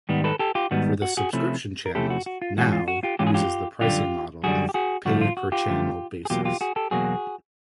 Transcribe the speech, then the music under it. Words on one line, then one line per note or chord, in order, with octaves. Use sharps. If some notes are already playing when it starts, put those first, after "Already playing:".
For the subscription channels, "Now" uses the pricing model of pay-per-channel basis.
G#2 D#3 G3 B3
A4 B4
G4 A4
F4 G4
G#2 D#3 G3 B3 F#4
F#4
F#4 G#4
C3 F3 A3 C#4 E4
A#4
C3 F3 A3 C#4 E4 G4 A4
F#4
F#4
F4
G#2 E3 G#3 C#4 F4 F#4
F4
F#4
F4 G4
G#2 E3 G#3 C#4 F4 G4
G#4
F4 G4
F#2 D3 G3 F4 G4
F#2 D3 G3 F#4 G#4
G4
F#4 G#4
G2 D3 F3 A3 F#4
F4
F#4
F4 G4
G2 D3 F3 A3
G#4
E2 B2 F#3 A#3 F4 G4
F4 G4
F#4 G#4
G4 A4
E2 B2 F#3 A#3 F#4 G#4